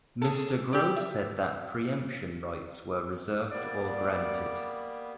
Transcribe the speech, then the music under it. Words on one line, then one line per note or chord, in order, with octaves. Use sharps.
Mr. Grove said that preemption rights were reserved or granted.
G#4 A4
G4 D5
E5
G3 A#3 B3 D5